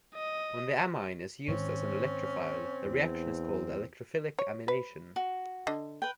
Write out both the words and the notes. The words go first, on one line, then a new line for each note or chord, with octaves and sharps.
When the amine is used as an electrophile, the reaction is called electrophilic amination.
D#5
G#2 D#3 G#3 C4 C#4
E2
C#5
B4
F#4
D3 D#5
B4 G5